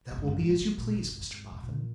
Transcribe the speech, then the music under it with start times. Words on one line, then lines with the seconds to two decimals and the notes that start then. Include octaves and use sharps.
'That will be as you please, Mr Boffin.
0.11 A#2
0.18 G#2
0.27 F#2
0.39 G#2
0.50 E3
0.61 F#3
0.78 A#2
0.95 G#2
1.04 A#2
1.12 G#2
1.20 F#2
1.28 G#2
1.51 B2
1.63 A#2